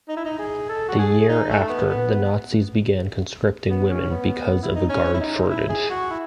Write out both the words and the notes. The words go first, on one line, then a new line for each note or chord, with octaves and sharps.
The year after, the Nazis began conscripting women because of a guard shortage.
D#4
E4
D#4
G#4
A4
F#4
G#4
D#4
A3
B3
B3
B3
C#4
B3
E4
D#4
C#4
E4
D#4
E4
G#4
F#4
E4